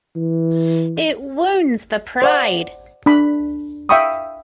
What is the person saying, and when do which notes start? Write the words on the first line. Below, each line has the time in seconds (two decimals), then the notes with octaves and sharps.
It wounds the pride.
0.16 E3
2.22 C5 D5 F#5
3.06 D4 B5
3.89 E5 F5 G5 B5 C#6 D#6